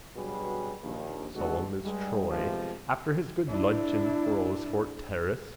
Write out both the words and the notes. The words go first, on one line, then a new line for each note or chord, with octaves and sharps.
Solemn as Troy. After his good lunch in Earlsfort terrace.
G2 B2 F#3 G3 G#4 B4
A#1 D#2
A1 D3 G#3 B3 F#4 A4
G2 G3 G#3
C3 F3 G#3 A3 B3 G4
D4 E4